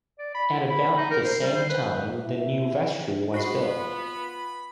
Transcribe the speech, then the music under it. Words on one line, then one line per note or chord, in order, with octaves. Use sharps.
At about the same time, the new vestry was built.
D5
B5
E4
B5
D#4
A#4
C5
G3
C5
B4
E4
B3 F4 F#4 B4 B5 C6